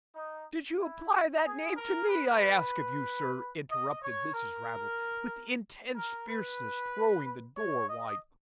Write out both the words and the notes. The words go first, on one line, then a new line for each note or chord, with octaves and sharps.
'Did you apply that name to me, I ask of you, sir?' interrupted Mrs. Raddle, with intense fierceness, throwing the door wide open.
D#4
E4
G#4
A#4
B4
B4
D#5
C#5
A#4
A#4
B4
C#5
D#5